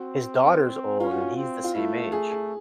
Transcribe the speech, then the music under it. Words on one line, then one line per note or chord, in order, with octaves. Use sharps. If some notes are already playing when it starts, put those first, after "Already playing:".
his daughter's old and he's the same age.
Already playing: C4 F#4
C#4 F4
F#4
F4
C4
F4
A3 E4
G#4
G#4